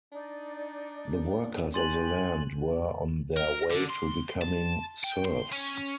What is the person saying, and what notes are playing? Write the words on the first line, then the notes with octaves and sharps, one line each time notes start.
The workers of the land were on their way to becoming serfs.
D4 D#4 D5
G4 G#5 C6 F#6 A6 F#7
A#4
D3
C6
A5
G5
C6
C#4